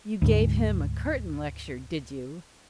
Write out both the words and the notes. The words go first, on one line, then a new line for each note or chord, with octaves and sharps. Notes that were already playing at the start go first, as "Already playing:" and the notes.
'You gave him a curtain lecture, did you?'
D2 G#2